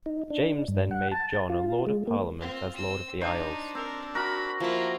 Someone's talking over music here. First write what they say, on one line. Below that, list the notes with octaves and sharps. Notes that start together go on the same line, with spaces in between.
James then made John a Lord of Parliament as Lord of the Isles.
D#4
D4
G2
F#5
A5
F4
G#3
A#3
C4 F4
C4 E6
D4 D#4 C5
C4 A#4
F#4 A#4 B5
F3 A#3 E4 F4 F5 D6